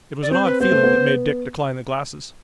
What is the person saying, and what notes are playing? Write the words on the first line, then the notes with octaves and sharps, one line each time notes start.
It was an odd feeling that made Dick decline the glasses.
D5
C4 C5
B4
B3 C5
A3
B3